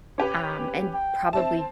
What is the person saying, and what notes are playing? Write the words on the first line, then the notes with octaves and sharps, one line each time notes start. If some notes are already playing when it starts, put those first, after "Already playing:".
um, and probably
C#4 G4 B4
G5
C4 E5 A5